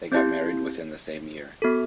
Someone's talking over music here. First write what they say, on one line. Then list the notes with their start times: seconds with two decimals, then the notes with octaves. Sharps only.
They got married within the same year.
0.12 C4 E4 G4 G6
1.62 B3 F#4 A4